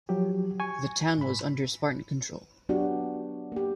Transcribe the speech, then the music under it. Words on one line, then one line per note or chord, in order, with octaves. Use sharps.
The town was under Spartan control.
F3 F#3 G4
G#5 C#6
G#2 B5
F#3 B3 D4 F#4 G4
A#3 G4